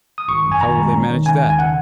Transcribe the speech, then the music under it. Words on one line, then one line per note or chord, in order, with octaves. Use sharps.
"How will they manage that?"
D#6
G#1 C#6
F#2
G#5
D#3 A#5
G#3
C#4
D#3
D#3 G#5
D#2
G#5
C#3 F#5